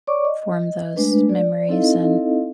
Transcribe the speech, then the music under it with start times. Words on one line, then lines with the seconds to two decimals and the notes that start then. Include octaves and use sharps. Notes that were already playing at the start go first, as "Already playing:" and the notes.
form those memories, and
0.07 C#5 D5 C#6 D6
0.25 D#5
0.96 G#3 A3 D4 B4
1.29 D5
1.69 C4 D#4 E4 A4 D#5 F5